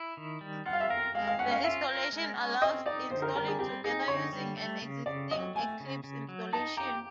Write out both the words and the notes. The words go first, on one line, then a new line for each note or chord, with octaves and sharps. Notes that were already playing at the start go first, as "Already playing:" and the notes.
The installation allows installing Together using an existing Eclipse installation.
Already playing: E4
D#3
G3
F4 F#5
F5
E5
A#4 F5
G#3 F5
F5
C#4 F#5
F5
F4 E5
A#4
G#3
C#4
C4 D#5
D#4 D5
D3 C5
A#4
G3 A#4
G#4
C4 G4
D#4 G#4
D3 C#5
G3
A3
C#3
C#3 D5
F#3 D#5
A3 G#5
C#3
C#3
F#3
D#4 A5
G4 A#5